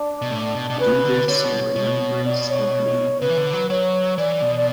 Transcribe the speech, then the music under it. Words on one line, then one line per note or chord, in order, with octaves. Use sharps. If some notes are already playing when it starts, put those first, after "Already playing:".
Do this in remembrance of me.
Already playing: D4
B2
A2
B2
B2
C#3 B4
D3
D3 C#5
B2
B2
D5
C#5
C#3 B4
E3
D3
F#3
F#3 C#5
E3 D5
B2
D5